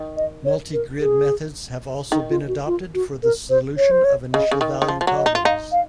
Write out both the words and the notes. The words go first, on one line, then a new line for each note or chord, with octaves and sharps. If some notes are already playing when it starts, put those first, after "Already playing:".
Multigrid methods have also been adopted for the solution of initial value problems.
Already playing: D#3
D#5
C#5
A#4
G#4
D#3 D#4
F4
F#4
F4
F#4
A#4
C5
C#5
C5
C#5
C#3 D#5
C#3
D#3
D#3
F3
F3
F#3
D#5
D#4
F4
D#4 F5
F5